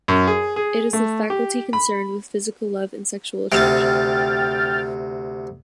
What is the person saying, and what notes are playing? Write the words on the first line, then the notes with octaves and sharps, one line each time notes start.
It is the faculty concerned with physical love and sexual attraction.
F#2
G#4
G#4
A3
G4
B5
D2 C3 G5 F6 A6